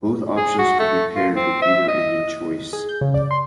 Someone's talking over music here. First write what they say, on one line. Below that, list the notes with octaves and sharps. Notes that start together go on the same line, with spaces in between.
Both options could be paired with either engine choice.
G#4
F#4
A3
F4
C4
E5
D#5
G#4
G6
C#3
D5
C6